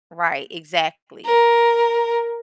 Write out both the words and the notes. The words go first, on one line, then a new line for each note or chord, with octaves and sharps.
right, exactly.
A#4